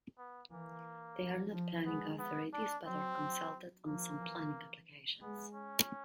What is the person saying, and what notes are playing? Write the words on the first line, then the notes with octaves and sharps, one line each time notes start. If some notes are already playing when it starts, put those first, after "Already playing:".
They are not planning authorities, but are consulted on some planning applications.
B3
E3 A#3
F3
F3
G#3 B3
B3
D4
F#3 C4
F3 A#3
E3
G#3 B3
C#4